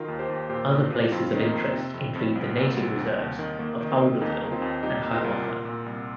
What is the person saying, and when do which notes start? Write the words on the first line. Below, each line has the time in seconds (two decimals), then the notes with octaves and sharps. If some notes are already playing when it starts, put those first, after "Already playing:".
Other places of interest include the Native Reserves of Alderville and Hiawatha.
Already playing: D#3 F4 A#4
0.08 D#2
0.19 G4 C5
0.30 D#2
0.49 A#2 G4 C5
0.71 A#2
0.91 A#2
1.11 F2 C4 F4
1.33 D#3
1.42 A#3 D#4
1.53 F2
1.73 C3 C4
1.94 F2
2.16 F2
2.35 C2
2.56 A#2
2.76 C2
2.97 D#2
3.18 D#2
3.39 D#3
3.59 D#3 A#3
3.80 D#3
3.90 C4
4.01 D#3
4.21 D#2 A#3 D#4
4.42 D#3
4.52 C4 F4
4.62 D#2
4.83 C2 D#4 G4
5.04 A#2
5.14 F4 A#4
5.24 C2
5.44 A#2
5.65 A#2
5.86 C2